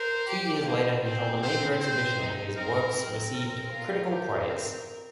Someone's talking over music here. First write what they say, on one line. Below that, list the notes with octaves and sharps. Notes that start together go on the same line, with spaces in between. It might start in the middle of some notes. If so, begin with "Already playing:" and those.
Two years later, he held a major exhibition and his works received critical praise.
Already playing: A#4 C5
G4
A#3 C5
C4 C5
C5
C5
D#4
C4 A#4
C4
A#4
F4
G4 A#4
C4